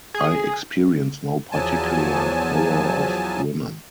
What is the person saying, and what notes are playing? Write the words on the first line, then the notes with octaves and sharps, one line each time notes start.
I experience no particular horror of women.
G#4
E2 F3 F#3 G#5 A5